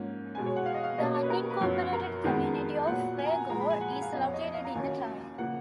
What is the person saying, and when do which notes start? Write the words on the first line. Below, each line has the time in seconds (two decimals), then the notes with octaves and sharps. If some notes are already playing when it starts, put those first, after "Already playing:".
The unincorporated community of Weirgor is located in the town.
Already playing: G#2 F3 A#3 C#4
0.35 B2 G#3 B3 G#5
0.46 C#5
0.56 F#5
0.66 F5
0.74 D#5
0.83 F5
0.98 B2 A#3 C#4 D#5
1.14 C#5
1.23 B4
1.30 A#4
1.50 B4
1.61 F#2 F3 B3 C#5
1.93 A#4
2.24 F2 D#3 G#3 B3
2.87 A#2 F#3 B3 F#5
3.19 G#5
3.26 A#5
3.34 G#5
3.49 A#2 F3 G#3 A#5
3.60 B5
3.70 G#5
3.81 F#5
3.92 G#5
4.02 F5
4.12 F2 F3 B3 D#5
4.23 C#5
4.33 D#5
4.44 D#5
4.54 F5
4.65 A#5
4.75 D#2 D#3 F#3 C#4 G#5
5.38 C#3 F3 A#3 F#5